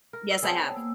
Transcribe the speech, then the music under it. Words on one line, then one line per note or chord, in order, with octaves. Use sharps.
Yes, I have.
A#4
D5 E6
B3 C4 G#4 C#5 G5 A5
A#3 E6